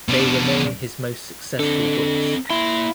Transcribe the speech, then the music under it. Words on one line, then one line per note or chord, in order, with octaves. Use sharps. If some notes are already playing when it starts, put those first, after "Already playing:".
They remain his most successful books.
B2 D4
D3 C4 A4
A#3 E4 C6